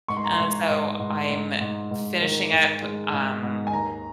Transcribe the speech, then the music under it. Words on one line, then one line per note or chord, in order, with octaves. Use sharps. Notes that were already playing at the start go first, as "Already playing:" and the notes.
and, so I'm finishing up, um,
G#2 C#6
C6
A#5
C6
G#2
G#2
G#2
G#2
G#2
G#2
D#3
G#2
G#3
G#2
G#2
G#5
D#2 A#5